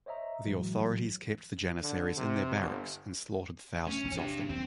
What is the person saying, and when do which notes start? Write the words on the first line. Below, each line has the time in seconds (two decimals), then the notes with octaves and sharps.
The authorities kept the Janissaries in their barracks and slaughtered thousands of them.
0.06 C5 C#5 D#5 E5 A#5
0.44 A2 E3 F#3 G#3
1.82 D3
2.17 C3
2.55 G1
3.88 A3 C#4
4.04 A1 F2 A2
4.17 C3 D4 G4
4.50 D#2 F#3 C4